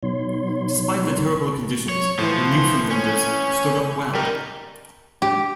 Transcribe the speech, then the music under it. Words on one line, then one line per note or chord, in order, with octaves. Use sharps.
Despite the terrible conditions, the Newfoundlanders stood up well.
B2 F#3 B3 D#4 C#5 C6
C#5
A2 E3 F3
C#4
G3 D#4 G4 A#4
G4